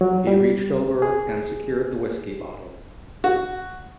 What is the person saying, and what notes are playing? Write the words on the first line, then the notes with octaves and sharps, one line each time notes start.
He reached over and secured the whiskey bottle.
F#3
G3
G#4
F#4